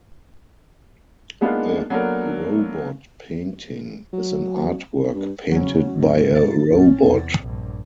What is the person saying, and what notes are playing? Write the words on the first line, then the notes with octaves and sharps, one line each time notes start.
A "robot painting" is an artwork painted by a robot.
G#3 A#3 B3 D4 D#4 F4
F#3 A#3 B3 D4 A4 A#4
F#3
G2
C#3 F#3 C#4
G#2
A6
A#1 C#4
E2 C3
A#1 G2